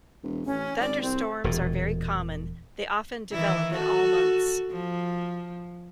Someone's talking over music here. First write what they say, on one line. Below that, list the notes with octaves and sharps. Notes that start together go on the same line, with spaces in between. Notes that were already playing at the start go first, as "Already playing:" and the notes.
Thunderstorms are very common, they often develop in all months.
E1
A1 C#4
G#1 D5
C2 C4
E1 A#2
D#3 E3 E4
F#4 A4
F3